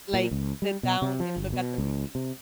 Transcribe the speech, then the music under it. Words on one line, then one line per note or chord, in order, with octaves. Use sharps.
like, sit down and look at the receipt.
A#2
C#2
G3
B2
C3
F3
G1
B2
C#2
C3